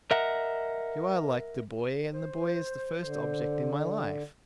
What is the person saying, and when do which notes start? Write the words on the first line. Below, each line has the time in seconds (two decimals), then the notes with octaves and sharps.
You are like the boy, and the boy is the first object in my life.
0.11 A#4 D#5 E5 F#5 A#5
2.14 C5
3.04 D3